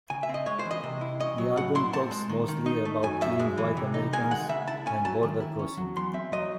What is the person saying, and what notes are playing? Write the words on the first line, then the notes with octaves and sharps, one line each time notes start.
The album talks mostly about killing White Americans and border crossing.
C#3 G#5
E5
C4
D#5
G#3 C#5
C5
E3
D#5
C3
E4
C#4 D#5
F#3
A2 F#5
E4 C6
C4 A5
G#3
D#3
D#3
D#4
A3
F#2 G#5
F#2 E5
G#3
E3
C3
D#4
G#3 G#5
D#3 F#5
C#3 E5
E4 A5
C#4 G#5
F#3 A5
D#3
E4
C#4
F#3
E2 C6
C4 E5
F#3 D#5